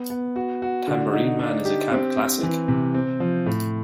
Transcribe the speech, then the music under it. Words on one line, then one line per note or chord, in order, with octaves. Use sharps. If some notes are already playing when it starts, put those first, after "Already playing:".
Tambourine Man' is a camp classic?
Already playing: B3
B3
F#4
F#4
D3
D#4
D4
G4
C4
C4
E3
C3
C4
F3
A2